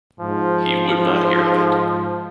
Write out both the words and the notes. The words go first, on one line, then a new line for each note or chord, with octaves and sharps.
He would not hear of it.
G#2 F3